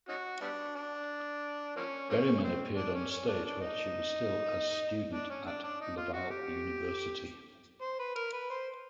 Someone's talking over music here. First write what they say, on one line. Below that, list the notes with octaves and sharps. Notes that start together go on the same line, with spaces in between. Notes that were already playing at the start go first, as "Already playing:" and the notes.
Berryman appeared on stage while she was still as student at Laval University.
C#4 D#4 F#4
G3 B3 D4
D4
F3 A#3 C#4
F3 A#3 C#4
C4
D4
C#4
C#4
D4
D4
D#4
D4
C#4
D4
D4
D#4
F4
F#4
G4
C5
B4
A#4
B4
C5